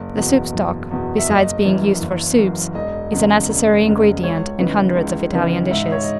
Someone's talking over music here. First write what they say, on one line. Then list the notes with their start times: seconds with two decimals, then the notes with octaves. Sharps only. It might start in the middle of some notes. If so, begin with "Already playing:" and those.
The soup stock, besides being used for soups, is a necessary ingredient in hundreds of Italian dishes.
Already playing: F#1
0.17 E2 B2
0.53 F#1
0.91 E2 B2
1.18 E5
1.28 F#1 D#5
1.65 F#2 E3
2.01 F#1
2.38 F#2 E3
2.75 E1 D#5
3.12 E2 C#3 G#3
3.49 E1
3.86 E2 C#3 G#3
4.23 C#2 C#5
4.60 C#3 E3 B3 D#4
4.96 C#2
5.33 C#3 E3 B3 D#4
5.71 G#2 E5
5.81 D#5
5.92 C#5
6.03 D#5